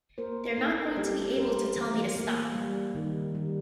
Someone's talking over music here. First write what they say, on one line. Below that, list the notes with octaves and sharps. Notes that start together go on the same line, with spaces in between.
They're not going to be able to tell me to stop.
A#3 A#4 C5
D#4 A4 B4
G3 G4 A4
G3 A#4 C5
E3
A#3
G3
D#3
G3